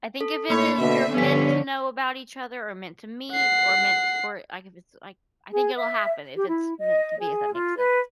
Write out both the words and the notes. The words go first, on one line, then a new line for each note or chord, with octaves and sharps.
I think if it is you're meant to know about each other, or meant to meet, or meant t for i like, if it's, like, I think it'll happen if it's meant to be, if that makes sense.
A4
A2 A#3 C#5 B5
B2 D3 E5
G2 D3 F3 B3 C#4 B6
F#5 C7
G#4
E5
G4
E4
D#5
G#4
F4
B4